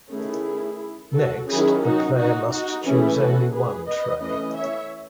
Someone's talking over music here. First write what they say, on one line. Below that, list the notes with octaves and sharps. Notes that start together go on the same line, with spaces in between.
Next, the player must choose only one tray.
D#3 A3 C#4 E4 G#4
F#4 A4
D#3 F#3 C#4 E4 G#4
D#4 F#4
D#4 F#4
D#4 F#4
E3 A3 C#4 E4 G#4
F#4 A4
G#4 B4
B4 D#5
E3 A3 C#4 B4 D#5
C#5 E5